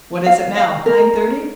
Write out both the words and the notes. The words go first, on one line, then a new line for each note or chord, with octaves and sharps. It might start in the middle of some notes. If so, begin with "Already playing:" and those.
What is it now--nine thirty?
F5
F5
A#4